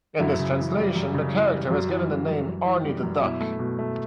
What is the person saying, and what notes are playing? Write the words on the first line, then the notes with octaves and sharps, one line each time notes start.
In this translation, the character was given the name "Arnie the Duck".
F#2 E4
C#3
E3
G3
F#2
C#3
E3
G3
F#2 F#4
E3
G3
F#2
F#2
E3
G3
F#2
B2 E4
A3
B2
A3